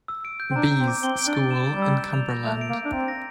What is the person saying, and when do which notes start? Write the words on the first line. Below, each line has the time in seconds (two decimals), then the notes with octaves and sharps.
Bees School in Cumberland.
0.08 E6
0.25 D7
0.40 G6
0.51 C4
0.56 D4 A#5
0.71 G6
0.80 C4
0.88 D6
1.03 C4 G7
1.19 D7
1.27 D4
1.35 A6
1.51 E7
1.66 A6
1.74 G3
1.82 E6
1.98 G6
2.14 F7
2.30 A#6
2.45 A3 F7
2.61 D7
2.69 A#3
2.77 G6
2.85 D4
2.92 C4 A#5
3.08 A#6